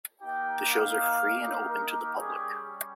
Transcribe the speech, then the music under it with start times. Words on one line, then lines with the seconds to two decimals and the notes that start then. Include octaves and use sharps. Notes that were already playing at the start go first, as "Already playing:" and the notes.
The shows are free and open to the public.
0.22 A#3 D#4 G4 G5
0.71 F5
1.69 A#4
2.17 G3 C#4 G4 G#4